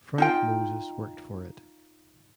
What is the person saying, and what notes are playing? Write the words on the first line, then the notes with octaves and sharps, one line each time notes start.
Frank Moses worked for it.
D#4 F4 G5